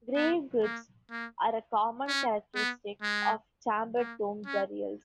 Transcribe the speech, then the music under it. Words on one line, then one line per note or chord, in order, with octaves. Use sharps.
Grave goods are a common characteristic of chamber tomb burials.
B3
A#3
A#3
C#4
B3
G#3
A#3
C#4